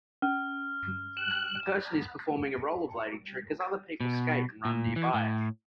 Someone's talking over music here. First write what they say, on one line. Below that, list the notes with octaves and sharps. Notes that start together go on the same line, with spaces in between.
A person is performing a rollerblading trick as other people skate and run nearby.
C#4 F6
F#6 E7
B2
A#2
E3
A2